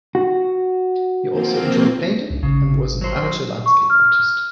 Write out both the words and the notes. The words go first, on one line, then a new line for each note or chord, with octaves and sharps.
He also enjoyed painting and was an amateur landscape artist.
F#4
F3 A#3 C4
C2
G#1 C#3
F#3 C5
C#6
F6